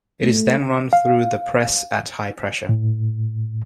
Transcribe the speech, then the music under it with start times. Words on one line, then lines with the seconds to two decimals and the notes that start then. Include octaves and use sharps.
It is then run through the press at high pressure.
0.24 A3
0.93 F5
2.69 A2